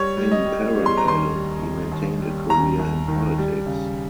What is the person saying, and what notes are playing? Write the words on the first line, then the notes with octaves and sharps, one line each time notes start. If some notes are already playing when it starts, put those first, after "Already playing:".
In parallel, he maintained a career in politics.
Already playing: G3 C#5
G3
D#5
G3
G3
C6
A#5
D#2 C6
G3
D#2
D#2
G3
D#2 A#5
D#2
D#3
G3
C#3